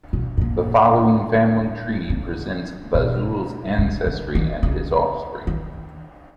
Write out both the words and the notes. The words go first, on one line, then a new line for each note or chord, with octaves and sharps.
The following family tree presents Vazul's ancestry and his offspring.
B2
G#2
A#2
C#3
B2
C#3
C#3
D#3
C#3
D#3